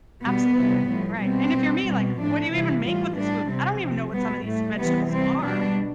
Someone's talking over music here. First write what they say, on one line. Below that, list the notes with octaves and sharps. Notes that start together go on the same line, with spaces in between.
Absolutely, right. And if you're me, like, what do you even make with this food? I don't even know what some of these vegetables are.
B2 G3 B3
C3 E3 G3
A2 F3
B2 G3 C4
B2
G3
B2 G3
A2 F3 D4
C3 E3 G3 E4
A2 E3 G3 F4
A2 G3 D4
C3 G3 C4
C3 F3
B2 G3 B3
A2 G3 A3
C3 E3 G3 B3
C3 G3 C4
B2 G3 D4